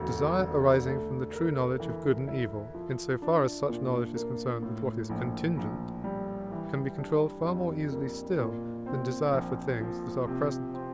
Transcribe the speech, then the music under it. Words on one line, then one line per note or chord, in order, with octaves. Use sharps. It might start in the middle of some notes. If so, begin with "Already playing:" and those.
Desire arising from the true knowledge of good and evil, in so far as such knowledge is concerned with what is contingent, can be controlled far more easily still, than desire for things that are present.
Already playing: E1 D2 A3
D3
A3
A#4
E3
E4
F3
D4
A#2
A#3
A2
A#1
A#1
G3
E3
D4
F2
A#3
A#2
C4
A#1
F3
C3
C4